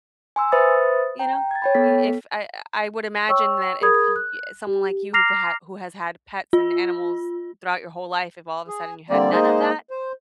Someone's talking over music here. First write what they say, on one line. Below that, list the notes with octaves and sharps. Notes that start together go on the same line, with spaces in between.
you know? Y if I I would imagine that if y eh, someone like you, who who has had pets and animals, throughout your whole life, if all of a sudden you had none of that,
G#5 C6 E6
B4 C5 E5 B5 D#6 A6
G5 A#5
G#6 A6
C#5 G5 B5
B3 A4 B6
C#5 G5 C#6 E6
G#4 A#4 B5 D#6 G#6
F#6
G4
A#5 D6 F6 A#6 C7 F7
F4
G#4
D3 G3 A#3 C4 D5
G#3 A#3 D#4 G#4 C5 D#5
C5